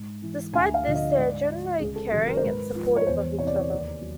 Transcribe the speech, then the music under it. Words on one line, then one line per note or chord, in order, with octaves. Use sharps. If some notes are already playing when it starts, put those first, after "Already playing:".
Despite this, they are generally caring and supportive of each other.
Already playing: G#2
E3
D2 G#5
F5
D3 F3
D#5
G#2 D5
F3
C#2 G#4
A4
C3 D#3 F#3 A4
A#4
C5
G#2 B4
F3
C#5
E2 C5
C3 E3 C#5
D5
C#5
D#2 D5
F#3